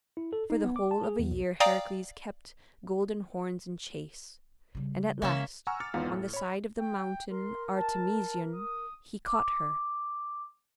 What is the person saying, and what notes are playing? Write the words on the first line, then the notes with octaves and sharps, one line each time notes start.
For the whole of a year Heracles kept Golden Horns in chase, and at last, on the side of the Mountain Artemision, he caught her.
E4
A4
D#4
B3
D6
A5
G#4
E2
B1
D5 F5 G5 A#5 D#6
C#3 G3
C#3 G#3 A#3 C#4 E5
F#5 G#5 A#5 C#6 E6 F6
D6 E6 F6 A6 C#7
G#1 E2 G#2 B3 F4 F5
A2
C#5 B5
G5
A#4 C6
A5
D#6
D6